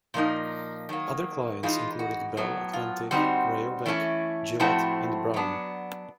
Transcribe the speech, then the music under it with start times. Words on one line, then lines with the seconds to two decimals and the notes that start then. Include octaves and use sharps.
Other clients included Bell Atlantic, Rayovac, Gillette, and Braun.
0.14 A#2 F3 A#3 D#4
0.89 D#3 F#3 A#3
1.63 E3 G#3 C4 D#4 F4
1.99 F#4
2.37 A2 F#3 B3
2.73 F4
3.11 D3 G3 C4 D#4 F#4
3.86 E3 A3 C#4 E4
4.60 A2 F3 A3 C4 E4 F#4
5.34 F#3 B3 D4